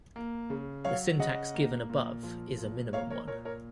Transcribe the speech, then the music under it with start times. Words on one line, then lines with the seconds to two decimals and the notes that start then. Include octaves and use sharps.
The syntax given above is a minimal one.
0.16 A#3
0.50 C#3
0.84 F#3 C#5 F5
1.19 C#3 D#5 F#5
1.54 A#3
1.90 A#2
2.23 F3
2.58 A#2
2.93 A#3 C#5 F5
3.10 A#4 C#5
3.28 A#2 A#4 C#5
3.45 A#4 C#5